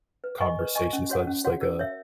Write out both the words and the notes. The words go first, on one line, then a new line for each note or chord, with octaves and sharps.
conversation, so a just like a
B4
D#5 G#5 C#6
B4
D#5 G#5 C#6
C#4
F#4 C#5 F#5
C#4
F#4 C#5 F#5
A#4
C#5 E5